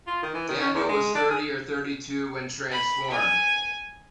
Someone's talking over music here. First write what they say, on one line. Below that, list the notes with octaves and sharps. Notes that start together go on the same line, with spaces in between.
Daniel was thirty or thirty-two when transformed.
F4
D#3
E3
D#3
C#4
E2
G#3
D4
G#4
B5
G#5